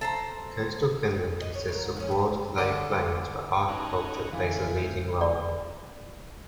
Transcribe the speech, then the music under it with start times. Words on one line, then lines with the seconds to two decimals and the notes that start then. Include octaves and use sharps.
Coastal Finland consists of broad clay plains where agriculture plays a leading role.
0.01 A4 C5 A#5
1.42 D#5
1.54 C#5
1.68 F2 A#4
1.84 G#2
1.97 F3 C#4
2.11 G3 G4
2.58 D3
3.68 C#4 D#4 F#4 A5 A#5
4.33 E2 D3 E3 F5 G#5 D6
4.76 D#3 E3 G#3 G6
5.21 D5